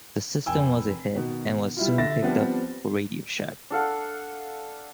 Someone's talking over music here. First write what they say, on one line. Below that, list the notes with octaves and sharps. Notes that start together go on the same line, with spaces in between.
The system was a hit, and was soon picked up for Radio Shack.
F1 G5 G#5 E6
B2 D#3
G3 E4 F4
D3 E5 A6 A#6
F3 G3 B3 C4 D4
D4 A4 F5 F#5